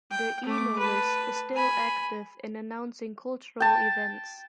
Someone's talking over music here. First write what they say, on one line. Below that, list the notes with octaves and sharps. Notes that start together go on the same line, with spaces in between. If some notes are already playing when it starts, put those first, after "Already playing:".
The email list is still active in announcing cultural events.
G5
A3 D6
B4 A5
G#5 B5
G5 A5